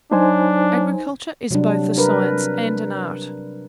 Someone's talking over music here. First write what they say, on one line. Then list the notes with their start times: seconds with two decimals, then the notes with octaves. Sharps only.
Agriculture is both a science and an art.
0.12 F#3 D4 D#4 C5 G#5
1.51 C3 F#3 G3 D4
1.97 D4 A#4 B4